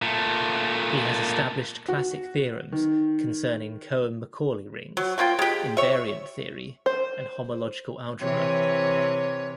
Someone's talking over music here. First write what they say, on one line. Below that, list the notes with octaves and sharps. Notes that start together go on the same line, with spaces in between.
He has established classic theorems concerning Cohen-Macaulay rings, invariant theory and homological algebra.
A#2 A3
F#4
D#3
F#3
A3 A#3 F4 G5
G#3 G4
C#5 E5
C5
C3 E3 C#5